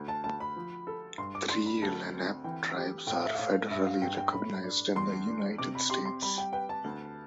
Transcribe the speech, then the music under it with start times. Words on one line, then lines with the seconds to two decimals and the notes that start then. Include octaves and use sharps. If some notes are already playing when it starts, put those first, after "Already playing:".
Three Lenape tribes are federally recognized in the United States.
Already playing: D2
0.08 A5
0.24 D2 A5
0.40 B5
0.56 F3
0.87 A4
1.18 G2 C6
1.35 D6
1.50 D4 C6
1.66 B5
1.82 D2 A5
2.13 C4
2.44 E3 G5
2.76 G4
3.07 A2 G5
3.16 F5
3.26 E5
3.35 A2 F5
3.70 G2 E5
3.86 F5
4.02 G2 G5
4.18 G5
4.32 A2 B5
4.64 D4
4.95 E2 C6
5.27 D4
5.58 C3 D6
5.75 B5
5.90 G4 C6
6.05 C6
6.22 G3 B5
6.38 G5
6.53 B4 G5
6.69 A5
6.84 D2